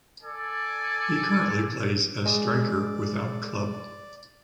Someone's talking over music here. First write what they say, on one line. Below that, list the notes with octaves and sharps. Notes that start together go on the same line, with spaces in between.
He currently plays as striker without club.
A4 D5 G#5
G#3 D5